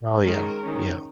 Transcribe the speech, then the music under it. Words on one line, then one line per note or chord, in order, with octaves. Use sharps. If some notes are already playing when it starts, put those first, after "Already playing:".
Oh, yeah. Yeah.
D#3 G#3 C#4 A#4
D#3 C#4